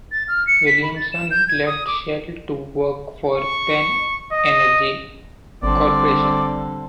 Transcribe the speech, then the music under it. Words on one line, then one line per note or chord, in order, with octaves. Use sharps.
Williamson left Shell to work for Pan Energy Corporation.
A6
F6
C#7
B6
B5
A6
E7
G6
G#6
D#6
D6
C#6
D#5
G#1 D3 G3 C4 A4 D5